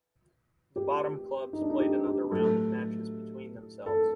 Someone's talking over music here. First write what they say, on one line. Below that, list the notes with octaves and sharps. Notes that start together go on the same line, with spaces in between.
The bottom clubs played another round of matches between themselves.
G4
D#4
D4
D#4
G4
G4
A2 F#3 A4
A4